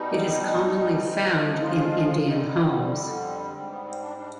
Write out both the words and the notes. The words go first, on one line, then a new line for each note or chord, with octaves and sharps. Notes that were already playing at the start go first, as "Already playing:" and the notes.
It is commonly found in Indian homes.
Already playing: B2 G3 D#4
G2 F3 G#3
F4
F2 D3 G3 D#4
C4
G#2 G3 C4
B3
C4
D4
D4